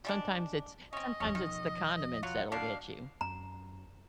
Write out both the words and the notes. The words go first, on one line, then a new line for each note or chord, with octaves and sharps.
Sometimes it's sometimes it's the condiments that'll get you.
G3 G#3 D4
C4 C#4 D#5
G1 E2 C#4
E1 D#3 F3
F#3 F4 F#5
B2 D3 D4 F5
F#2 A#5